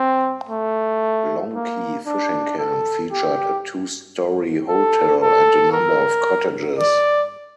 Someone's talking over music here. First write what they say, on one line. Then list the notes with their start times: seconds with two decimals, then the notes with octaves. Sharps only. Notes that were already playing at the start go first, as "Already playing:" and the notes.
Long Key Fishing Camp featured a two-story hotel and a number of cottages.
Already playing: C4
0.49 A3
1.54 A#3
2.06 D4
2.58 A4
3.11 G4
4.68 A4
5.21 A4
5.73 A#4
6.78 D5